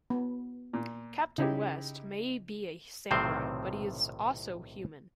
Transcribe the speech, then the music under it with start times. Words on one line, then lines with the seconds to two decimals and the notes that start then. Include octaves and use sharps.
Captain West may be a Samurai, but he is also human.
0.10 B3
0.73 A#2
1.38 C#3 D#4 E4 G4
3.11 B1 A2 C3 D#3 C4 C5